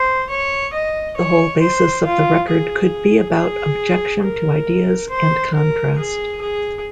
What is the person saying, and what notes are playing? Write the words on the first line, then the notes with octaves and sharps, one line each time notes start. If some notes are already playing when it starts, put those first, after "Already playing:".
The whole basis of the record could be about objection to ideas, and contrast.
Already playing: C5
C#5
D#5
C#5
C5
F4
G#4
G#4
A#4
C5
A#4
G#4
G#4